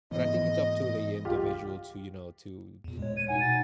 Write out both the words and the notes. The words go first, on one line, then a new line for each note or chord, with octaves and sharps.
But I think it's up to the individual to you know, to
G#2 E3 B3 D#5
D#1 C2 F4 G4
E2 A#2
G#3 C#5
G#6 D#7
B2 D#4 F#5 G#5
A6